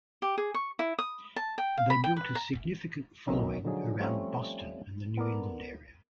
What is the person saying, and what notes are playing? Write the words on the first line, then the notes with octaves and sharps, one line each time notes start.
They built a significant following around Boston and the New England area.
G4
G#4
C#6
E4
D#6
A5
G5
F5
B5
G5
B4
A#5
B1 B2 D#3 C#4 D#4 E5
D3 F3 F#3 D#4 G#4
F3 G3 A3 C4 C#4
B3 A4 A#4 D5